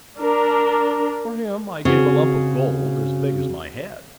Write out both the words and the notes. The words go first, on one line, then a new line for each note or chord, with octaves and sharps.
"For him I gave a lump of gold as big as my head."
D4 A#4
C#3 C4 F#4 G#4